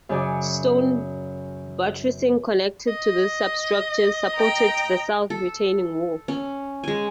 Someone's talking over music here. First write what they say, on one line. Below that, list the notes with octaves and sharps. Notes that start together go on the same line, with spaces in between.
Stone buttressing, connected to this substructure, supported the south retaining wall.
F#2 C#3 D5 G#5
D#5
G5 A#5
A4
C#4
G#3 G#5